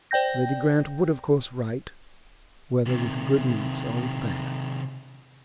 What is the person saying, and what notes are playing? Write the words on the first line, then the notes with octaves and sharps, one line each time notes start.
Lady Grant would of course write whether with good news or with bad.
C5 D5 G5 G6 A#6
C3 D#3